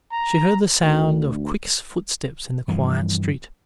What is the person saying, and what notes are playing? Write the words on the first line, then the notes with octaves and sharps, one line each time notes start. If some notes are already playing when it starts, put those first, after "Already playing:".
She heard the sound of quick footsteps in the quiet street.
A#5
D2
G2 E3 F3